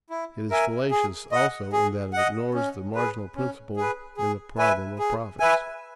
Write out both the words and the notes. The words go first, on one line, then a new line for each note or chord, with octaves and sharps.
It is fallacious also in that it ignores the marginal principle in the problem of profits.
E4
A#4 E5 G#5
G#4
D#5 F#5
G#4
D#5 F#5
C#4
G#4 B4
C#4
G#4 B4
G#4
B4 E5 G#5
G#4
B4 E5 G#5